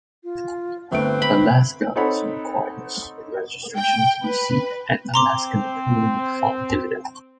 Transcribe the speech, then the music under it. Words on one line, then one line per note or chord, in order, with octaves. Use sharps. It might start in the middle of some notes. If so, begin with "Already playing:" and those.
Alaska also requires registration to receive an Alaska Permanent Fund dividend.
F4
G1 A3 C4 B4 D7
B5
C4 D#4 A4 C#5 F#5 B5
G5
B4
C4 A#5 C6 D6